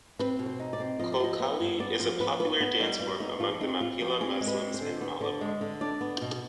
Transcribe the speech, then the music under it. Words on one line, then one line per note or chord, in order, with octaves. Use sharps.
Kolkkali is a popular dance form among the Mappila Muslims in Malabar.
C4 B4
B2
C5
D#4
D5
C4
F3 D#5
D5
F3 D#5
B3
G2
B3 D5
F3 C5
B3 B4
B3 B4
B3
G3 D#4
G2 F4
B3 D#4
F3 F4
C4 D#4
C4 F4
F3 G4
C4 G#4
G#3
B4
C4
C5
D3
B3
D3
G#3
D3
D4 D5
B3
B2